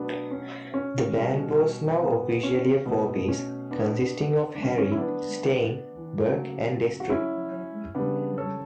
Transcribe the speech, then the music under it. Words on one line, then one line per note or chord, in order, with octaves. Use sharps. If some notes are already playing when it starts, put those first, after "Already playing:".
The band was now officially a four-piece, consisting of Harry, Stein, Burke and Destri.
Already playing: B2 F#3 A3 B3 D4
C#4
C#4
B2 G3
B3
C#4
B2 A3 B3
C#4
B3 D4
D3 A3 C#4 D4
B3
C#4
E4
B3 D4
C#3 F#3 A3
F#4
C#4 E4
C#3 G3 B3 D4
A4 C#5